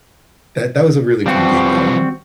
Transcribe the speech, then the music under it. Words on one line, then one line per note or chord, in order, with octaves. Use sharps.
that that was a really fun game, though.
E3 F3 G3 C4 F#4